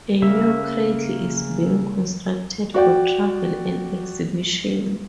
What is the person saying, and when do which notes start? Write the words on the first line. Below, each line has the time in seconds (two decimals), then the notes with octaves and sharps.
A new cradle is being constructed for travel and exhibition.
0.22 C#3 A#3 E5
2.74 F#4 D5 G5